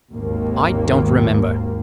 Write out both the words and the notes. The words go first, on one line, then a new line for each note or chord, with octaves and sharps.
I don't remember....
G#1 D#2 A#3